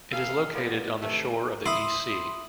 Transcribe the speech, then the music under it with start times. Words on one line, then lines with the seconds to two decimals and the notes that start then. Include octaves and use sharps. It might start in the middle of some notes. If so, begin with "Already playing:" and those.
It is located on the shore of the East Sea.
0.12 E2 A#3 G#4 A4 F5
0.54 A#2 C#3 G3 G#3 A#3 B3
1.00 C3 D#3 E3 A3
1.66 E4 C6 D#6